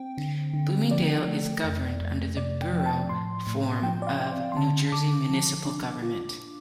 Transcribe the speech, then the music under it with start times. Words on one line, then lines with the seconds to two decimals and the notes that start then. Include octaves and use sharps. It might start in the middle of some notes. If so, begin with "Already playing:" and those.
Bloomingdale is governed under the Borough form of New Jersey municipal government.
Already playing: C4 G5
0.18 D3
0.54 D3
0.90 F3 D5
1.28 A3
1.64 F2
2.01 F2
2.37 C3 D5
2.62 G5
2.73 F3
2.80 G5
2.86 A5
3.09 A2 C6
3.47 A2
3.82 F3 G5
4.02 D5
4.07 F5
4.20 C4
4.52 C6
4.56 D3 A5
4.92 D3 D6
5.30 F3
5.65 D4
6.02 F4